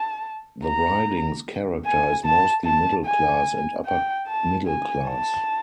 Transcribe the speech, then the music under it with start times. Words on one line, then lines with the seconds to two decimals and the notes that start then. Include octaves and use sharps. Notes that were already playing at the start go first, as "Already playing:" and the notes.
The riding's character is mostly middle-class and upper middle-class.
Already playing: A5
0.65 A#5
1.85 G#5
2.25 A5
2.65 A5
3.05 G#5
3.86 G5
4.27 A5
4.66 G#5
5.07 A5